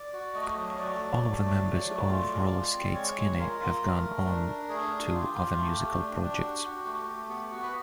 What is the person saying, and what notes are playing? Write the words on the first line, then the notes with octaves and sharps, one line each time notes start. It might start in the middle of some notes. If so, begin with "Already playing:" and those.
All of the members of Rollerskate Skinny have gone on to other musical projects.
Already playing: D5
F#4
A3 D#5
F#3
A3 D5
F#3
A3
F#3
F#3
A3
F4
G#3
F4
C4
G#3 C#5
G#3
F4 A#4
F4
A3
A3
D4
D4
A3 G#4
D4
F4 G4
F4
A3
A3
D4
D4
F#4
F#4
A3
A3
B3 G4
F#4
B4